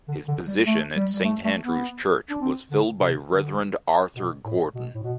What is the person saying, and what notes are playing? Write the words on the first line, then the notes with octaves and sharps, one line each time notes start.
His position at St Andrews Church was filled by Rev Arthur Gordon.
D3
D3
G3
A3
G3
G3
A3
A3
B3
D4
C4
D3
C3
D3
B2
A2
B2
A2
B2